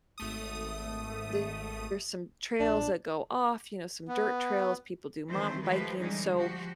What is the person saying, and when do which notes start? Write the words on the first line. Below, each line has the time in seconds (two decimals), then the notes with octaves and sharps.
there's some trails that go off, you know, some dirt trails, people do mountain biking, so
0.18 G#1 A3 D#6
2.60 A#1 D4
4.08 B3
5.28 D#3 E3 F#3 A3 C4 C5
5.63 F3 G#3 A3 G4 B4
6.00 D3 E3 G3 G#3 C#4 D#4
6.36 F3 F#4 G4